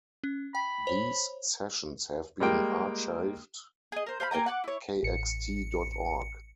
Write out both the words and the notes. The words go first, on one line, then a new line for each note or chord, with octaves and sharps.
These sessions have been archived at kxt dot org.
C#4
G5 B5
C5 C#5
G3 G#3 A#3 G5
G#4 D#5
A#4 C5
C5 F5 A5 B5
A#3 G5 G#5 A#5
F#5 G#5 D6
E4 C#5
A1 C#7